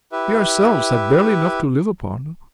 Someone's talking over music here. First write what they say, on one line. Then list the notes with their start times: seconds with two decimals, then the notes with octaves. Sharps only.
We ourselves have barely enough to live upon.
0.12 E4 G4 B4 E5